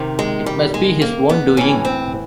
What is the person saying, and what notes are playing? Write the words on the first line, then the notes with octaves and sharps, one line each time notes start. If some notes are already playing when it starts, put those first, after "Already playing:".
It must be his own doing.
Already playing: C3 D#3
G#3
G3
G#3
A#3
B3
A2 E3 C#4
C4